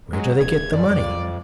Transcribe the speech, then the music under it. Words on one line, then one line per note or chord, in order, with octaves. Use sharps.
"Where do they get the money?"
F#3 G#3
D1 G#6
F#2 D5
F2